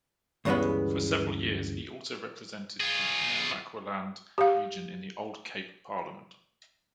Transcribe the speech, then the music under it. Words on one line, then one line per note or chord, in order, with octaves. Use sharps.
For several years he also represented the Namaqualand region in the old Cape Parliament.
D2 G2 C#3 E3 G#3 B3
F4 G#4
G4 F5